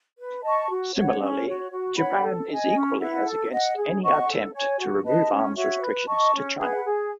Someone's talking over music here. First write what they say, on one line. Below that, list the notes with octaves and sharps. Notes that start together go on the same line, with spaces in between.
Similarly, Japan is equally as against any attempt to remove arms restrictions to China.
B4
D#5 A5 C#6
F#4
C#5 F#5
C#4
F#4 C#5
F#4
C#5 F#5 B5
A4
D#5 G#5
C#4
E4 B4 F#5
A4
D#5 F#5
G#4
D#5 F#5 C#6
A4
C#5 G#5
F#4
B4 D#5 A5
C#4
F#4 C#5 E5
B4
D#5 A5 C#6
C#4
G#4 B4 F#5
G#4